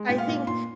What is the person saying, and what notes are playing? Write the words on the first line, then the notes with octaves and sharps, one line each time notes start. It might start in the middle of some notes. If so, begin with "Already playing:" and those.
I think
Already playing: G#3
A#2 G5
F5
A#2
A#2 C6